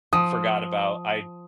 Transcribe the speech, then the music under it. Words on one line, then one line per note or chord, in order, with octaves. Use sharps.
forgot about I
F3 D#6